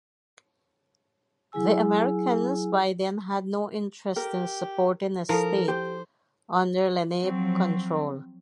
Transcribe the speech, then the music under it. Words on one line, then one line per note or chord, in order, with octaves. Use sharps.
The Americans by then had no interest in supporting a state under Lenape control.
F#3 E4 G#4 G#5 E6
G4 A#4
F3 E4 A4 A#4
G4 C5
F3 F#3 C4